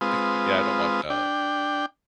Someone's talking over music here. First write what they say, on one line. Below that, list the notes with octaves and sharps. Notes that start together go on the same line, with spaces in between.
Ugh, yeah, I don't want that.
G#3 C4 F4 B4 D#6
D4 G5